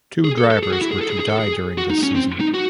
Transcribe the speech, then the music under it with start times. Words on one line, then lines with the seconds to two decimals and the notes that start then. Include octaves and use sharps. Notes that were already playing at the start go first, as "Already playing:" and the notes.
Two drivers were to die during this season.
0.25 G#4
0.38 A4
0.51 A4
0.63 G#4
0.73 F#4
0.82 E4
0.92 G#4
1.01 A4
1.10 G#4
1.20 G#4
1.30 A4
1.40 G#4
1.78 F#4
1.90 D#4
2.03 C#4
2.16 C4
2.40 D#4
2.54 F#4